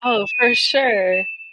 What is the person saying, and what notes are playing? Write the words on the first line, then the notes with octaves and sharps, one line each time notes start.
Oh, for sure.
E7
E7
D#7
E7